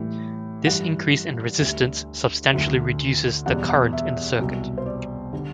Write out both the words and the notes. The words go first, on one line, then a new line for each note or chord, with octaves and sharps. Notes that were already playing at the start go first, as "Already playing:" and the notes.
This increase in resistance substantially reduces the current in the circuit.
Already playing: A2 E3 G3
G2 E3 G3 F#5
D2 D3 G3 E5
D2 D3 F#3 E5
E2 B2 G3 F#5
F#5
E5
C2 B2 F#3
C5
D5
D3 G3